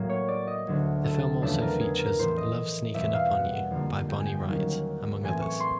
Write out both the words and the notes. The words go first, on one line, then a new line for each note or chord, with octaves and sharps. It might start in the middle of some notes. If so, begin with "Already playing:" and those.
The film also features "Love Sneakin' Up On You" by Bonnie Raitt, among others.
Already playing: A2 F#3 A#3
C#5
D5
D#5
D2 D3 F#3
A4
E2 C#3 F3 A3 D4 A4
A#4
G#4
A#4
A2 E3 A3 C5
D#5
E2 B2 G3 C4 E5
F5
F#5
F2 D3 G3 A#3
G5
G#5
G5
D#2 D#3 F#3 A#3 C#4
A2 E3 A3 C4 G#5
C#6
C6